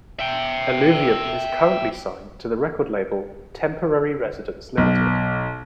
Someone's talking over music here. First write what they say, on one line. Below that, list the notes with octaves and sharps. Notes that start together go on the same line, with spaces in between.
Eluvium is currently signed to the record label Temporary Residence Limited.
E5 G5
B1